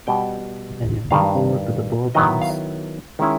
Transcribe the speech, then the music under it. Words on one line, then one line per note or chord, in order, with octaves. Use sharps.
Then he went over to the Bourbons.
B2 G3 B3 G5
G2 D#3 G3 F5
D#3 F#3 B3 E4 D#5
F5
D#3 G#3 C#4 E4